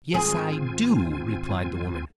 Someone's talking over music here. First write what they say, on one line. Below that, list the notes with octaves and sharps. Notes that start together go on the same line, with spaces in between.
"Yes I do," replied the woman.
G#1 C4 F4 G#4 G#5